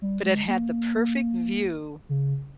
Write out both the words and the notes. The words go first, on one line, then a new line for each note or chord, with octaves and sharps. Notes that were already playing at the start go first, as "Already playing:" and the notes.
but it had the perfect view
G3
G#3
A#3
C#3